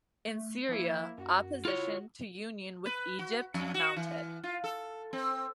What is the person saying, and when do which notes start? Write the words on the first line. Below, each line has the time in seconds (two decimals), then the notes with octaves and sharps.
In Syria, opposition to union with Egypt mounted.
0.28 A3
0.69 F3 A#3 E4
1.18 F#2 F#4
1.65 E4 F4 C#5
2.86 B4
3.19 F#4
3.54 F2
3.74 F#4
3.96 E3
4.43 F4
4.64 A4
5.13 C4